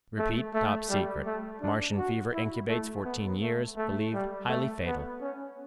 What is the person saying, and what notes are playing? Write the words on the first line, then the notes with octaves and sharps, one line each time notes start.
Repeat topsecret. Martian fever incubates fourteen years, believed highly fatal.
A3
A3
G3
A3
D4
F#4
E4
A3
B3
A3
A3
G3
A3
B3
C#4